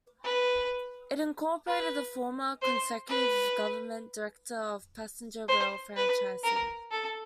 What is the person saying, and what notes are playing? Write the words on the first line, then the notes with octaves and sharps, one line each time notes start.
It incorporated the former Conservative government's Director of Passenger Rail Franchising.
B4
B4
C5
B4
C5
B4
A#4
A4